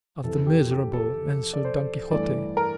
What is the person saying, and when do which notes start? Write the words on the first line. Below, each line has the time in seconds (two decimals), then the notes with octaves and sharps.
"Of the miserable," answered Don Quixote.
0.23 F2 C3 E3 A4
0.47 G4
0.71 G4
0.93 A4
1.53 D5
1.65 C5
2.11 G2 E3 A3 D5
2.57 A#4